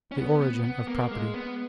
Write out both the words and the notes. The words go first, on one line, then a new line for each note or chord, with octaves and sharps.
The Origin of Property.
C#4
B3
B3
B3
A#3
G#3
B3